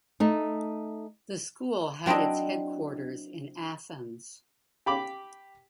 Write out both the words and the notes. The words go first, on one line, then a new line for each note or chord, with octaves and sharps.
The school had its headquarters in Athens.
A3 D#4
F#3 C4 D4 E4 D#5
G4 B5 D6